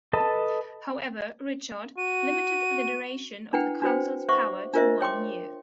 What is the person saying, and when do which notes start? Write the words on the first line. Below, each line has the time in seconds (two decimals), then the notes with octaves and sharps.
However, Richard limited the duration of the Council's powers to one year.
0.13 A4 B4 D#5 A5
1.98 F#4 D#7
3.53 D4 E4 B4 F#5 G5
3.82 D4 F#4 B4 C5 G5
4.28 C5 E5 F#5 C#6 D6
4.74 D4 F4 A#4 C5 D#5 E5
5.01 C#5 G5 C6 D6